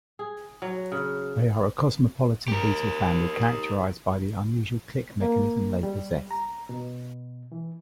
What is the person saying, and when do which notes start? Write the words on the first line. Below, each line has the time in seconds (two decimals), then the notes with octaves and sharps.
They are a cosmopolitan beetle family characterized by the unusual click mechanism they possess.
0.19 G#4
0.62 F#3
0.92 C#3
2.48 G4 A#4
5.21 A#3
5.83 G3
6.31 A#5
6.69 B2
7.52 E3